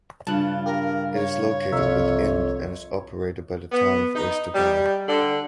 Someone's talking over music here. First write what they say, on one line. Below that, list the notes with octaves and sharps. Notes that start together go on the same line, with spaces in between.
It is located within and is operated by the Town of Oyster Bay.
G2 C#3 F4 A5 F#6
G4 A#4
C#5
C2 F2 A#4 E5
B3
D#4
G3
D3